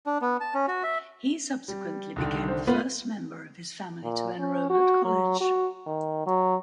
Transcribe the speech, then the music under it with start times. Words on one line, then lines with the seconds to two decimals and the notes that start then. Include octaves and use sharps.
He subsequently became the first member of his family to enroll at college.
0.06 D4
0.22 B3
0.41 A5
0.54 C#4
0.68 F#4
0.83 E5
1.68 G3
2.16 C2 D3 D#3
2.48 C5
2.67 B3 F4
4.04 A#2
4.39 C#4
4.70 F#4
5.05 F#3
5.41 F#4
5.87 D#3
6.26 F#3